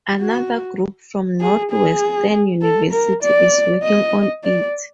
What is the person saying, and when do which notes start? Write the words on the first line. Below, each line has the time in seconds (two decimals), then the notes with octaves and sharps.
Another group from Northwestern University is working on it.
0.20 F#4
1.41 G#4
1.71 G#4
2.62 A4
2.92 A#4
3.23 D5
3.83 D#5
4.44 D5